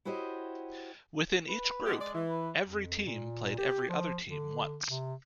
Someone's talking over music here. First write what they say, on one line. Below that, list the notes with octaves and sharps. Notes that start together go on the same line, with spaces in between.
Within each group, every team played every other team once.
E4 F#4 G4 C5 C#5 D#5
B4
G#3 B3 G4
D5
E3
B4
F2
A#2
G4
F3
D3
C3